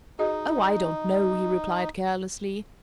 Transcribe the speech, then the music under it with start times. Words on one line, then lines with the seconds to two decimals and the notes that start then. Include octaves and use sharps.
"Oh, I don't know!" he replied carelessly.
0.19 D#4 F#4 G#4 D#5